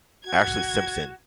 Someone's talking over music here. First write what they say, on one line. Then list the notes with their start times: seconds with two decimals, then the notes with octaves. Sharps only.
Ashley Simpson.
0.25 F#4 G#6